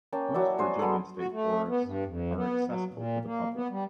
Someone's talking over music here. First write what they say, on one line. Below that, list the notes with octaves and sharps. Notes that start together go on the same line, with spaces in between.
Most Virginia state forests are accessible to the public.
A#3 C#4 G5 A5
F#3 E4 D5 E5
F#4 C5 G#5
G#3 B3 G#4 A4
F#4
A3
B3
G2
F2
B3
F#3
A#2
A#3
B3
G3